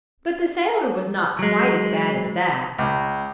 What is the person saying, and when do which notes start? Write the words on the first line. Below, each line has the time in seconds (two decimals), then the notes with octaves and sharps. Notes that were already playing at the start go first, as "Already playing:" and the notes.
But the sailor was not quite as bad as that.
1.39 F#3 G#3
2.79 C#2